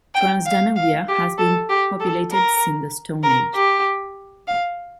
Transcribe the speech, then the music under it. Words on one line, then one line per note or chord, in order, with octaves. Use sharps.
Transdanubia has been populated since the Stone Age.
G5
F5
F5
G4
A4
G4
A4
A#4
A#4
G4
F5